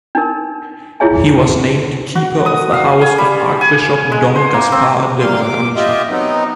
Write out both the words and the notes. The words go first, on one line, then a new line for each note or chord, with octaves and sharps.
He was named keeper of the house of Archbishop Dom Gaspar de Bragança.
D4 D#4 A#4
E4 F4 G#4 C#5 E5 G#5
F#4
D#6
F5
G#5
G3
G#5
G#3
C5
A#3
C4
G3 A#3 F5 C6
D6
F4 G4 D#5 E5
F#3 B3 C4 D#4